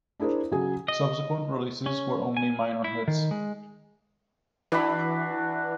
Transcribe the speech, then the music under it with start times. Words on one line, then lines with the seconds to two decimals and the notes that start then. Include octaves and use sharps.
Subsequent releases were only minor hits.
0.20 D4 E4 G#4 A#4 C5
0.51 C#3 F#3 G#4 G#5
0.88 D#5
1.86 C#4
2.37 G#5
2.84 E4
3.08 D#3
3.31 G#3
4.72 E3 D4 F#4 B5